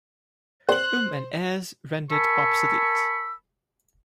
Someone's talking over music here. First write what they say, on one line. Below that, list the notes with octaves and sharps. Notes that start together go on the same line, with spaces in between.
Um's and Er's rendered obsolete.
C5 F#6 F#7
A#4 G#5 A5 B5 C#6 E6